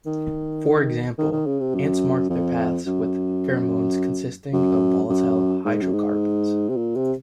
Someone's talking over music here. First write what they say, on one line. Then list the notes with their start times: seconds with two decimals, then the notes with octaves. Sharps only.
For example, ants mark their paths with pheromones consisting of volatile hydrocarbons.
0.06 D#3
1.18 D#3
1.32 D#3
1.46 C#3
1.60 C3
1.74 F#2
2.29 F2
2.86 F#2
4.53 F#2
5.09 F#2
5.65 G#2
5.81 F#2
5.93 G#2
6.69 C3
6.76 A#2
6.96 C3